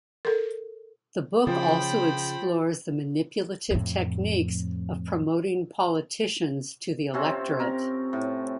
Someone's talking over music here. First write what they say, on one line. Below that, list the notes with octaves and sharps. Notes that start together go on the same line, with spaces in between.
The book also explores the manipulative techniques of promoting politicians to the electorate.
A4 A#4
C#3 F3 C5 G5 B5
F2 A2
C3 C4 C#4 F4
A#4
A2